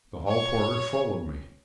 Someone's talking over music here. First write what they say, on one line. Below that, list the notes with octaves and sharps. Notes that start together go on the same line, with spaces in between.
The hall porter followed me.
C#5